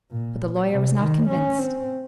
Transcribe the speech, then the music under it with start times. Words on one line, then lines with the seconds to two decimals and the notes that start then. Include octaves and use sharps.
But the lawyer was not convinced.
0.11 A#2
0.70 C3
0.99 D#3
1.28 C#4
1.58 C4